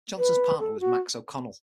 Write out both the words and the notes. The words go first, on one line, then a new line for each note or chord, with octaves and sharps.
Johnson's partner was Max O'Connell.
B4
A4
F#4